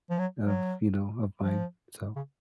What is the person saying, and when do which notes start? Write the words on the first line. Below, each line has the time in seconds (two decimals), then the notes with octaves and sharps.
of, you know, of mine, so
0.10 F3
0.19 F#3
0.44 F#3
1.43 F3
2.16 C#3